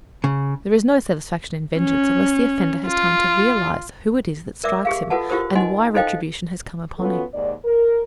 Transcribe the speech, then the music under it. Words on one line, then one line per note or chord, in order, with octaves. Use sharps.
There is no satisfaction in vengeance unless the offender has time to realize who it is that strikes him, and why retribution has come upon him.
C#3
C#4
F4
A#4 D5 E5 D6 E6
G4 G#4 F5
F4 F#4 A4 B4 F#5 A5
F4 G4 A#4 C5 D#6
D#4 D#5 F#5 G#5 C6
D#4 A4 C5 D#5 F5 G5
B3 C#4 F4 F#4 A4
D#2 G#2 D5
A#4